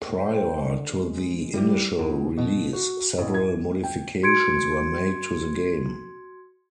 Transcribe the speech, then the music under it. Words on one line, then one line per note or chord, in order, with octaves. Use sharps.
Prior to the initial release, several modifications were made to the game.
C5 G5
D3
G#3
G3 E4 G4
E2
B2
F#4
A1
G#6
G5
F#4 C6 G#6 C#7 D7